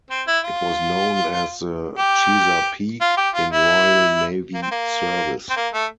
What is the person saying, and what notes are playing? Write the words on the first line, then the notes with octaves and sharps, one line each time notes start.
It was known as the Chesapeake in Royal Navy service.
C4
E4
F4
G4
F4
G4
F4
E4
A#3
C4
A#3
C4
A#3
A3